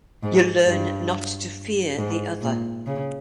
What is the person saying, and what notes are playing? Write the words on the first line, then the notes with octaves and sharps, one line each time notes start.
You learn not to fear the other.
G#2
G2
G#2
A#2
C#3